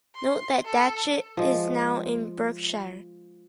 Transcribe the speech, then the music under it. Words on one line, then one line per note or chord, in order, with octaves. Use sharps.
Note that Datchet is now in Berkshire.
C6
A4
F3 G#3